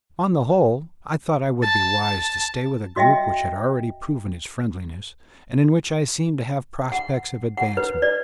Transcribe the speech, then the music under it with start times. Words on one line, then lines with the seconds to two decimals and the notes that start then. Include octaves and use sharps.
On the whole, I thought I would be wise to stay with a group which had already proved its friendliness, and in which I seemed to have prospects of advancement.
1.62 A5 A6
2.96 F#4 D#5 E5 G5
6.92 F#5
7.57 F#5
7.77 B4
8.02 D5